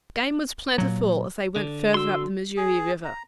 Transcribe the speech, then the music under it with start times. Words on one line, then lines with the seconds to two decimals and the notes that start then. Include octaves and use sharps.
Game was plentiful as they went farther up the Missouri River.
0.78 A#2 F#3
1.56 D3
1.94 F#4 C6 E6
2.57 G#4
3.05 A#5